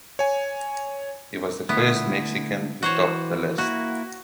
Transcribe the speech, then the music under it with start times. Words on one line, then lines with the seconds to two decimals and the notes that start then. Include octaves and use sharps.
He was the first Mexican to top the list.
0.19 C#5 G#5
1.69 D3 A3 B3 E4
2.83 E3 F#4 C5 C#5
3.58 A#3 E4 F#4